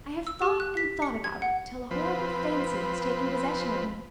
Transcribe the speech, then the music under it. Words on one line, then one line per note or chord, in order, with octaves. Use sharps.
I have thought and thought about it till a horrible fancy has taken possession of me.
E6
G4
F#6
B6
C#7
G#6
F#5
F3 C4 B4